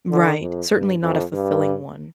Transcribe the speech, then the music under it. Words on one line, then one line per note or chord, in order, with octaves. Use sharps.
Right, certainly not a fulfilling one.
D3
F2
G2
F2
G2